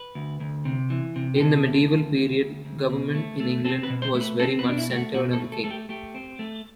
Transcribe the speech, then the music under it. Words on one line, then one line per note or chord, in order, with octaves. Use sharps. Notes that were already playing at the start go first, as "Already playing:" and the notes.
In the Medieval period, government in England was very much centred on the King.
Already playing: B4
D2
D2
C3
E3
C3
G4
C3 A4
D2
D2
D2
D2
D2
B2
A3
A3
C4 A4
B4
B2
C5
A3
B4
C4 A4
B4
B2 D4
E4
A3 G4
F#4
B2 F#4
A4
A3
A4
A3 A4
G4
A3 G4
C4
A3